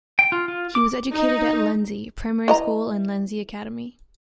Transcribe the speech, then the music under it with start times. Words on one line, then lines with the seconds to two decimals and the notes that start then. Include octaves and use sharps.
He was educated at Lenzie primary school and Lenzie Academy.
0.19 G5
0.32 F4
0.48 F4
0.75 D6
1.11 D#4
2.48 E3 D#5 A#5